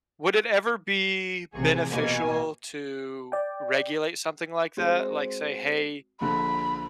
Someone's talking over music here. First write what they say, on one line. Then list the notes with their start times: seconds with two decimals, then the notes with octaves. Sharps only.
would it ever be beneficial to regulate something like that? Like, say, "Hey,
1.54 A1 C3 G#4
1.90 B2 A#3 G#5
3.32 D5 G5
4.77 G#3 C4 F#4
6.21 A#1 D3 F3 B5